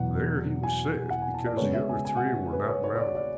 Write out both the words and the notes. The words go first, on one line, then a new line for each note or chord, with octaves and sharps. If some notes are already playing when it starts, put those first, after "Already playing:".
There he was safe, because the other three were not mounted.
Already playing: E2 B2 F#3 F#5
G#5
F#5
G#5
A5
D5
C#3 G#3 B3 C#5
E5
G#5
G#5
F#5
B4
C#5
C#5
C#5
D5
D5